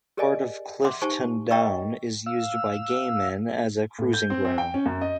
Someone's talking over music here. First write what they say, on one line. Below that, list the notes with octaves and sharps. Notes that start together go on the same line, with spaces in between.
Part of Clifton Down is used by gay men as a cruising ground.
G4 G#4 A#4 D5 D#5 G#5
E5 F#5 C6 D6
D#4 G4 C5 G#5 A5 C#6
A#4 D#5 G5 A#5 C#6 E6
F5 E6
A2
G6
C4
C4
G5
C#4
F#2
D#5